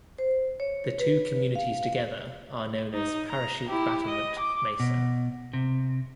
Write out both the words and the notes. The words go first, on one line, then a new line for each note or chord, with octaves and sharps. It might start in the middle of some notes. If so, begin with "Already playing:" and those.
The two communities together are known as "Parachute-Battlement Mesa".
C5
C#5
B4
F5
D#4
A#5
E4 G4
D#5
D6
B2
C3